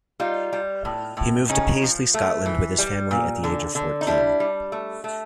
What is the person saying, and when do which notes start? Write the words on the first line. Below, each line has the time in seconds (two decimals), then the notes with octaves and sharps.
He moved to Paisley, Scotland, with his family at the age of fourteen.
0.20 G3 D#4 F4
0.53 G3
0.85 A2
1.17 A2
1.49 C#3 C#4 D#4
1.82 F3
2.14 A3
2.46 E3
2.78 G3
3.11 A#2
3.44 D3
3.75 D3
4.01 D#4
4.07 G3 D4 E4
4.40 G3
4.72 A3
5.04 A3